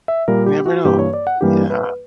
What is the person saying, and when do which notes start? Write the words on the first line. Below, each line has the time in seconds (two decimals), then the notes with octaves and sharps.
You never know, yeah.
0.08 E5
0.28 A#2 G3 A#3 A#4
0.46 G4
0.66 F#4
0.85 G2 E3 A#3 G4
0.99 C#5
1.14 D5
1.27 F#5
1.41 G2 E3 G3 A#3 G4
1.70 B4